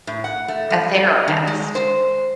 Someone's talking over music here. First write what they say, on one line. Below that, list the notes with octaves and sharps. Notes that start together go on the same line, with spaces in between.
a therapist
A2
F#5
A3
G3
D5
D#3
G#3
C5